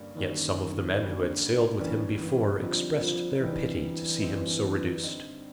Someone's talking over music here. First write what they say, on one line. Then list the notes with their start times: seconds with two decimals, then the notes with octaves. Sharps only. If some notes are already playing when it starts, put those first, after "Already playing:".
Yet some of the men who had sailed with him before expressed their pity to see him so reduced.
Already playing: G2 D3 G3 A#3 C#4
0.16 G2 D3 D#3 G3 A#3 C#4
0.97 G2 D3 G3 A#3 C#4
1.79 G2 D3 E3 G3 A#3 C#4
2.19 E3
2.59 D3 F3 G3 C4 D#4
3.01 F3
3.40 D3 E3 G3 C4 D#4
4.21 D3 G3 C4 D#4
5.02 D3 G3 C4 D#4